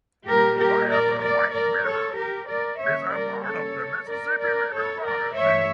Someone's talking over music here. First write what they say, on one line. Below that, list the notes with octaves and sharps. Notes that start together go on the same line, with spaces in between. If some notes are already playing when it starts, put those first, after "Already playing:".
Via the White River, it is part of the Mississippi River watershed.
A#2 G3 A#3 G4 A#4
G4 A#4
A#4 D5
A#4 D5
A#4 D5
A4 C#5
G4 A#4
A#4 D5
C#3 G3 A#3 C#4 C#5 E5
A#4 D5
A4 C#5
A#4 D5
A#4 D5
A4 C#5
A#4 D5
G2 E3 A3 C#5 E5